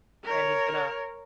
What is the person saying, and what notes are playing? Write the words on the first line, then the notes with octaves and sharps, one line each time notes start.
and he's gonna
A#4 C#5